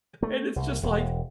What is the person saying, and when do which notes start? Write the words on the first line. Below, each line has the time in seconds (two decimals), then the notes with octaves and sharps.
and it's just, like,
0.23 A3
0.56 C2
0.83 E1